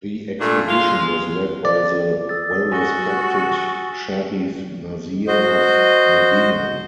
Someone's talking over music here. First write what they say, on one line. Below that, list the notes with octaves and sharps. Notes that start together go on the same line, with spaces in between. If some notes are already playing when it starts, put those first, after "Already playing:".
The expedition was led by the well-respected Sharif Nasir of Medina.
A#2 A3 D4
G#3 F4 F5
D5
D#6 E6 A6
F#4 G#5 A#6 G7
F#4 C5 D#5